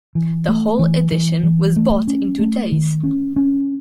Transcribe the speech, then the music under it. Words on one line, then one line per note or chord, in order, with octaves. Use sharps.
The whole edition was bought in two days.
E3
A3
E3
E3
E3
A3
C#4
A3
D#3
C#4
C#4